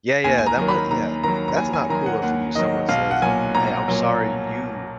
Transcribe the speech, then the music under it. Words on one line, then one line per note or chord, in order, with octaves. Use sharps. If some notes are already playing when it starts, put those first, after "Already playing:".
yeah, yeah, that ma yeah. That's not cool if you someone says, "Hey, I'm sorry you
D#2 G#5
G#5
A#5
D#3 F#3
B5
D#2 A#5
D#3 F#3 A#5
A#5
D#2 G#5
G#5
D#3 F#3 A#5
F#5
D#2 F#5
D#3 F#3 D#5
B1 F5
F#5
A#2 F#3 G#5
B1 A#5
A#2 F#3